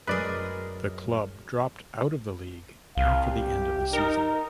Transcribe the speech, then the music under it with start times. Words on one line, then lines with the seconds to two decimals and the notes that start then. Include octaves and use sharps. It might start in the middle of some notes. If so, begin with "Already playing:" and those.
The club dropped out of the league after the end of the season.
0.07 F#2 G#3 G#4 A#4 B4 D5
2.97 C2 F5
3.32 G4
3.93 D#4 A#4